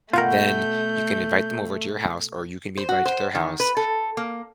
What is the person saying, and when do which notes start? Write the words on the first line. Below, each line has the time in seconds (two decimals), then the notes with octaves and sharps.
then, you can invite them over to your house, or you can be invited to their house,
0.13 B2 A3 F4 A#4 F#5 G5 G6
2.77 C5
2.89 F#4
3.05 C5
3.35 D#3
3.60 B4
3.77 A4
4.17 A#3